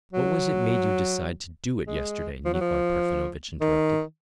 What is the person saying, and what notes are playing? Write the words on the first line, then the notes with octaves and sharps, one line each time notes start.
"What was it made you decide to do it yesterday?" Nikolay Parfenovitch interrupted.
F#3
G#3
F3
F#3
F3
D#3